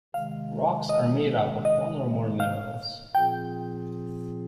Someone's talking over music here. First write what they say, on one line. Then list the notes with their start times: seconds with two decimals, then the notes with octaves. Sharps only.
Rocks are made up of one or more minerals.
0.14 C3 D#3 G#3 F5
0.89 D#5
1.65 D#5
2.40 F5
3.15 A#2 F3 C4 F4 G#4 G5